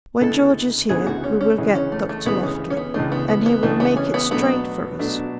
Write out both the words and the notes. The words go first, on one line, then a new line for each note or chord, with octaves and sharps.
When George is here we will get Dr. Loftly, and he will make it straight for us.
D2 C#3 G#3 B3 E4 A4
D2 C#3 G#3 B3 E4 G#4
F#4
C#4
C#4
D2 C#3 E3 G#3
C#4
A3
A3
D2 C#3 E3 G#3 B3
C#4
C#4
B3
C#2 C#3 E3 G#3 A3 D4
B3
B3
B3
C#2 C#3 E3 G#3 A3 D4
B3
C#4
B3
B2 F#3 A3 B3 D4
B2 F#3 A3 D4